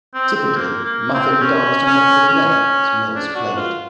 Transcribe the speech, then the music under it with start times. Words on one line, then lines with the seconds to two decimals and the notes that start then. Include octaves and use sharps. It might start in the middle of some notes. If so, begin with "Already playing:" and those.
Typically, Muffin danced on top of a piano as Mills played it.
0.14 C4
0.35 C4
0.56 A#3
0.85 A#3
1.14 C4
1.42 C#4
1.86 C#4
2.28 C#4
3.15 D4
3.35 F#4
3.57 F4